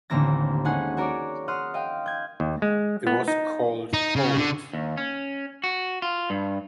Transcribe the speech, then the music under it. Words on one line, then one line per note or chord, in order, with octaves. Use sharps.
It was called Holt.
A1 D#2 D3 A#3 C4 A#6
G#3 A3 C#4 D#4 G#4 F#5
F#4 A#4 C#5 D5
F#5 C6 D#6 F6 F#6
D#5 F5 G5
G6 G#6
D#2
G#3
B3
D#4
D#4
C#3
D3
D#2
C#4
F#4
F4
G2